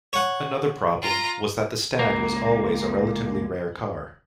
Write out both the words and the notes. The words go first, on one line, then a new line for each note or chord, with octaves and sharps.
Another problem was that the Stag was always a relatively rare car.
C#5 F#5
F4 A#5
C#2 A#3